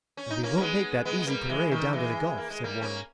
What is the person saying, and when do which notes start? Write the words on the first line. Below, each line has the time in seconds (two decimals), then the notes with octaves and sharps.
"And we won't make that easy parade down to the Gulf," said Warner.
0.17 C#4
0.30 D#4
0.43 A#3 C#4
0.57 A#3
0.61 G#3 B3
1.05 G#3 B3
1.19 G#3
1.27 G3 A#3
1.49 E3 G#3
1.71 D#3 G3
1.93 E3 G#3
2.38 A#3
2.50 G#3
2.64 G3 A#3
2.81 A#3 C#4